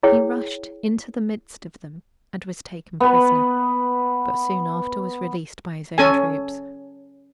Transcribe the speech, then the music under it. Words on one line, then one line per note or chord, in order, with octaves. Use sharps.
He rushed into the midst of them, and was taken prisoner; but soon after was released by his own troops.
E4 G#4 C#5 G5
B3 B4
C#4 A4 G#5